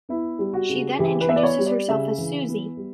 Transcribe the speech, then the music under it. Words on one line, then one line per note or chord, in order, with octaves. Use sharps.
She then introduces herself as Suzee.
B3 E4
G3
F#4
C#3
E3 G4
B4
B3 E5
D5
C#5
G3
D5
C#3 E5
E3
B3
G3